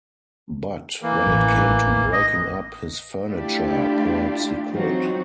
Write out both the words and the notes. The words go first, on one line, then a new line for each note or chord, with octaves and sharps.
But when it came to breaking up his furniture, perhaps he could!
E3 A#3
A1
D#5
A3 D4 E4 F4 G4 D5
E3 F#3 C4 D#4 F4 F#4